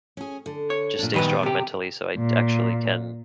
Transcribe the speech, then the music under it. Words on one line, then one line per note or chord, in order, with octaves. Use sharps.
just stay strong mentally, so I d actually can
C#4 G#4
D3
C#5
A#2 D4
A#2 D#3 G3 B3 B4
C3 G4
A#2